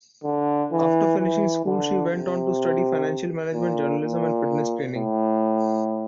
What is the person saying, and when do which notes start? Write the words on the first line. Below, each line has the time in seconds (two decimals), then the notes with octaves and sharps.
After finishing school she went on to study financial management, journalism and fitness training.
0.24 D3
0.72 E3
1.19 E3
1.65 D3
2.12 C3
3.54 A#2
4.01 A#2
4.95 A2